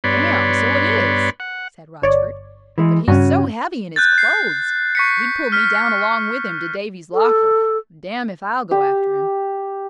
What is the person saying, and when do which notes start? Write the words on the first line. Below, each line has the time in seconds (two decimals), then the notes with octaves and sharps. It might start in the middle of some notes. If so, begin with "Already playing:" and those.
"Damme, so it is," said Rochfort; "but he's so heavy in his clothes, he'd pull me down along with him to Davy's locker:--damme, if I'll go after him."
0.04 G2 B3 C#5 D5 B5 C6
1.40 F#5
2.02 G1 C#5 D5
2.78 E3 G#3
3.08 G2 C#3 C#4 F#4
3.96 F#6 G6 A6
4.18 C7
4.95 C#6 B6 C#7
5.52 F6 B6
7.14 A4
8.71 G4